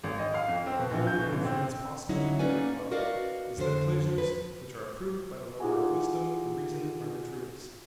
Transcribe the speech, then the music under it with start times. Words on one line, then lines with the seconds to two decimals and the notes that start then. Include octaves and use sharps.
The only inference possible, he replied, is that pleasures which are approved by the lover of wisdom and reason are the truest.
0.04 G#1
0.19 D#5
0.34 F5
0.48 F2
0.66 C4
0.79 B2
0.91 A#1
1.07 G6
1.18 B2
1.32 A1
1.45 C4
2.09 D3 F#3 C#4 D#4 E4 F#4
2.39 A#3 C#4 D#4 B4 D5 G#5
2.91 F#4 A#4 B4 D5 D#5 F5
3.57 F2 D3 G4 C5
4.18 B4
5.60 D#4 F4 G4 G#4 F#5 G#5